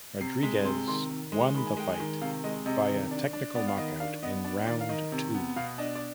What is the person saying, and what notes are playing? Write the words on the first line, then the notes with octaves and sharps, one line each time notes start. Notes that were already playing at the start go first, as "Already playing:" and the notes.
Rodriguez won the fight via technical knockout in round two.
C3 C7
G#3 B6
C3 C6
D#3 C6
D#3
G#3
D#3 B5
G#5
G#3 G5
G#5
D#3
C3 F5
G#3 D#5
C3 D#5
D#3
D4
D4
B3 D5
F5
D#3 D#5
D4 F5
B3 D#5
D4 D5
D#3 D5
F5
D#3 D#5
C3
B3
B2 F5
D4 D#5
D5